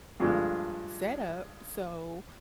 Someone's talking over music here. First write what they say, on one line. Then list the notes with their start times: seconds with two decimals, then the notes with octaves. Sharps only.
setup, so
0.20 G2 F3 G#3 A3 D4